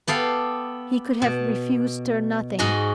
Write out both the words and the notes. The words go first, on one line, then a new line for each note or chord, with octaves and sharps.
He could have refused her nothing.
B3 G4 A4 F5
B2
G#2 F#4 D#5 G#5 A#5